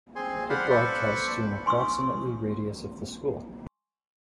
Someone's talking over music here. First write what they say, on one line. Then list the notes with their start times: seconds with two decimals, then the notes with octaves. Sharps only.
It broadcasts to an approximately radius of the school.
0.16 C4 G#4 G#5 C6
0.50 C5 D5 F5 F#5 B5 C6
0.70 A4 B4 C5 D5 B5 C#6
1.66 G#5 C6 C#6 D#6 E6